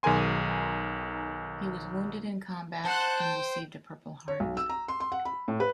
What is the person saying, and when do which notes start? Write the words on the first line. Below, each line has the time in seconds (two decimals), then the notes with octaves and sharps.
He was wounded in combat and received a Purple Heart.
0.03 B1 D#3 G#4 A#4 G#5 C6
2.85 C5 F#5 A5 F#6
3.19 G5
4.28 C#5
4.40 B1
4.57 E6
4.69 A#5
4.88 C6
5.00 C6
5.12 F#5
5.25 B5
5.48 A2
5.60 B4